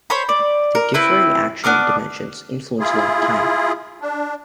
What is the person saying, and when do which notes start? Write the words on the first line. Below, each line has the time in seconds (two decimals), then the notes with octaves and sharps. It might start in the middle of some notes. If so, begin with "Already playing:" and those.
The differing action dimensions influence lock time.
0.10 C5 C#5 B5
0.29 D5
0.75 A#4
0.94 C4 E4 B4
1.64 B3 D4 D6 F6
2.80 E4 F4 G#4
4.01 D4